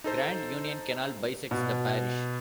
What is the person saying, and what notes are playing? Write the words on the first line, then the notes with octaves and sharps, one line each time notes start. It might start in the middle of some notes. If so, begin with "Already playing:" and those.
The Grand Union Canal bisects the parish.
D#4 A4 C5
B2